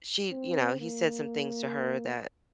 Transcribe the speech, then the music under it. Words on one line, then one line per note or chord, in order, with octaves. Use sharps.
she you know, he said some things to her that
C4
A#3